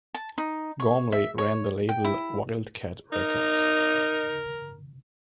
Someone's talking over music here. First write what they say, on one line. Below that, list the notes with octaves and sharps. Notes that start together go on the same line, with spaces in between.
Gormley ran the label Wildcat Records.
A5
D#4
C#5
E5
C#5
G5
E4
D#4 A#4